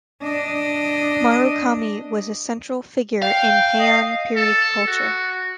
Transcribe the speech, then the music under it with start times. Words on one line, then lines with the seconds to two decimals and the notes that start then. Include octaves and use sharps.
Murakami was a central figure in Heian period culture.
0.22 D4 D#5
3.23 F5 G5
3.79 D#5
4.36 A4
4.87 F#4